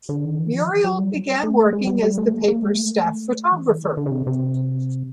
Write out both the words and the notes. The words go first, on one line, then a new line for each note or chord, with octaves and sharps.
Muriel began working as the paper's staff photographer.
D3
D#3
E3
F3
F#3
G3
A3
G#3
F#3
G3
G3
A3
A#3
A#3
G#3
A3
E3
D#3
E3
D#3
D3
C#3
C3
C3